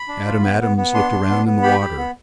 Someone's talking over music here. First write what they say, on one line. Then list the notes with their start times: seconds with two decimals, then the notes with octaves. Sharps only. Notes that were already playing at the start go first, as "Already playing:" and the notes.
Adam Adams looked around in the water.
Already playing: B5
0.09 D4
0.26 F4
0.42 B3
0.60 B3
0.77 B3
0.94 D4 C6
1.12 D4
1.29 B3
1.46 B3
1.63 G4 B5
1.80 G4
1.98 B3